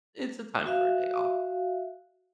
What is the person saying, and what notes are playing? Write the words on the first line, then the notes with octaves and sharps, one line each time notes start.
it's a time for a day off",
F#4 E5 F5